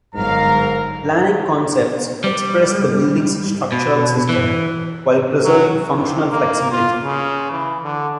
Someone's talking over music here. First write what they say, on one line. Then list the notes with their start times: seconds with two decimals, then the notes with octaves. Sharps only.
Planning concepts express the building's structural system, while preserving functional flexibility.
0.15 G1 G#2 F#3 A#4 F5 A#5
2.24 G3
3.72 B2
4.29 E3
5.44 F#3
5.89 C3
6.31 A#3
6.72 F4
7.04 C#3
7.51 E3
7.84 D3